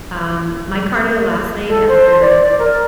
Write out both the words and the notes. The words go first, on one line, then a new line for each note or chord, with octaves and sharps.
Um, my cardio last night after
A4
C5
D5
D5
A#4